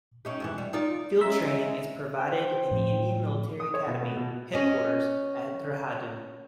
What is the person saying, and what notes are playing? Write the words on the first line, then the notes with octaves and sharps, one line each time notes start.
Field training is provided in the Indian Military Academy Headquarters at Dehradun.
C#4 D#4 G4
F2 G#2 E3
G3
D#4 F4 D5
G#3 C#4 E5 A#5
C5 G5
A2 F3
D#6
C#5
B2
B3
B2
C#4 D#5